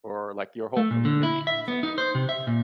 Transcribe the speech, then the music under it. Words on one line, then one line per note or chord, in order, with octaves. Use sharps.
for, like, your whole community, essentially.
A3
A#2
D3
E4
E5
B3
D#4
C5
C3
E5
A#2